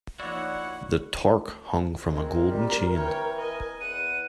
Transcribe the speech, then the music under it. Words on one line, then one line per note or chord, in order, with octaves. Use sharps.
The torque hung from a golden chain.
F3 A#3 D#4 E4 F#4 C#5 D5 F#5
G#3 C4 A#4
G3
E3 C#5 G5
D#5 G#5
E2 F#5 D#7